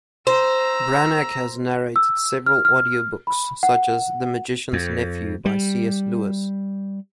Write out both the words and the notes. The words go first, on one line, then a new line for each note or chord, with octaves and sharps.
Branagh has narrated several audiobooks, such as "The Magician's Nephew" by C. S. Lewis.
C5 A#5 E6
E6
F6
F6
B5
F#5
F2
G3